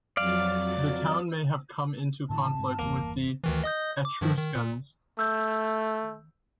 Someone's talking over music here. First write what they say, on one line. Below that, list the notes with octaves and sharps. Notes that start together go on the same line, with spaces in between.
The town may have come into conflict with the Etruscans.
F2 F#3 D5 F5 A6
A2 D3 E3 A5
G#2 C3
G1 E2 A#3
D2 D#3 E3
D#5 D#6 G6
D6
G2 D#3 F3
D#3
A#2
A3 E6 G6